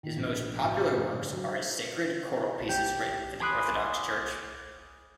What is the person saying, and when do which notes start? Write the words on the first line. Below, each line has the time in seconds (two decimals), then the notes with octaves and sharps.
His most popular works are his sacred choral pieces written for the Orthodox Church.
0.03 D#3
0.17 A#1
0.64 B2
0.96 F1
1.13 G1
1.33 F#3
2.69 G4
3.40 G#5 B5 C6 D6 D#6 F#6